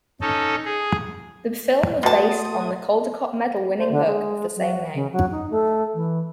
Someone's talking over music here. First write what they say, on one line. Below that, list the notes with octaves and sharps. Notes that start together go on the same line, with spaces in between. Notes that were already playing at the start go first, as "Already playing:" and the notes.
The film was based on the Caldecott Medal winning book of the same name.
C#4 D#4 A4
G#4
B2 A3 F#4 D#5 A5 C6 D#6
C5
D3
G#3
F#3
C#3
F#3
D#4
A3
E3